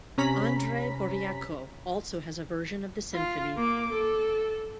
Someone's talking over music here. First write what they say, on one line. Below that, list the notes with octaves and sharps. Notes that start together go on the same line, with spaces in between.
Andrei Boreyko also has a version of the symphony.
C3 C#4 A#5 B5 B6
F4
A#3 D6
A4